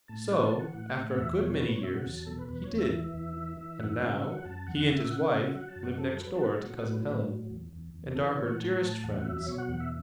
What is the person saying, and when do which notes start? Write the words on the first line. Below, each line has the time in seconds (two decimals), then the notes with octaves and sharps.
So after a good many years, he did, and now he and his wife live next door to Cousin Helen, and are her dearest friends.
0.08 A2 A5
0.30 E3 F#5
0.45 A5
0.53 E3
0.59 F#5
0.74 A2
0.96 A2
1.18 E2 E5
1.40 B2 C#5
1.61 B2 B4
1.73 C#5
1.83 F#3 E5
1.94 F#5
2.06 E2 A5
2.17 A5
2.26 B2 A4
2.39 B4
2.49 E2 B4
2.64 C#5
2.70 E2
2.78 E5
2.93 E3
3.14 E2
3.37 E3
3.57 E3
3.80 F#2 F#5
3.88 E5
3.98 C#3 C#5
4.07 E5
4.23 F#3 F#5
4.45 F#2 A5
4.67 E2 F#5
4.88 C#3 E5
5.10 C#3 F#5
5.32 C#3
5.45 E5
5.54 F#3 F#5
5.68 A5
5.76 F#2
5.83 F#5
5.97 F#3 A4
6.09 A4
6.20 F#3 B4
6.36 A5
6.41 F#3 F#5
6.63 F#3
6.85 A2 B4
7.06 A2 B4
7.29 F#3
7.50 E2
7.73 E2
7.94 E2
8.16 E3 A4
8.27 B4
8.38 A2 C#5
8.49 F#5
8.60 A2 A5
8.81 A2 A5
9.04 E2 F#5
9.25 F#3 E5
9.37 E5
9.47 B2 C#5
9.58 F#5
9.68 E2 F#5
9.80 E5